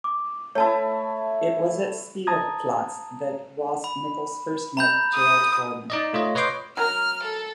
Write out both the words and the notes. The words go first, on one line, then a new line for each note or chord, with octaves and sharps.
It was at Spielplatz that Ross Nichols first met Gerald Gardner.
D6
A3 E4 C#5 A5
A5 A#5 D#6 G#6
B5
A#5 B5 G6
D#6
D#4 D5 D#5
A3 F4 C#5 D#5
B4 C#5 D#5 C6 D6 G6
F#3 A#4 F6
A4